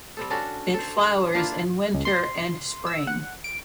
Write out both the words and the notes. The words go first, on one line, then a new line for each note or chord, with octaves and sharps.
It flowers in winter and spring.
G3 C4 A4
C#4 D4 F#4 A4
A4 C5
A#3 D4 E4 F4
C#2
C6
E6
F#5
D7